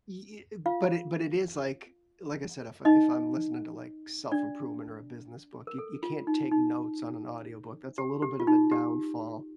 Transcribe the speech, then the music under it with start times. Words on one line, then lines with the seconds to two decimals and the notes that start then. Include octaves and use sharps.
Ye i but it but it is, like, like I said, if I if I'm listening to, like, self-improvement or a business book, you you can't take notes on an audiobook. That's a little bit of a downfall.
0.66 F4 F5
2.85 D#4 D#5
4.32 D4 D5
5.67 A#4
5.78 A4
6.03 F4
6.27 D#4
6.51 D#4
7.98 G4
8.22 G4
8.40 F4
8.47 D#4
8.72 G4